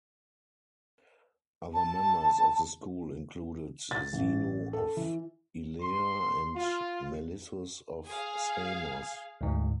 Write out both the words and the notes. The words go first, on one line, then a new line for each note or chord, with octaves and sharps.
Other members of the school included Zeno of Elea and Melissus of Samos.
A5
A6
A1
A4
E3
C6
F4
G#4 F5
D2 G#2